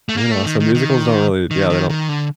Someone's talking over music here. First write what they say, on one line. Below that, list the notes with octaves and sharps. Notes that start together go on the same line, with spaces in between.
You know, so musicals don't really yeah, they don't
A3
A#3
A3
D#3
D#3
D#3
D#3
D#3
D#3
D3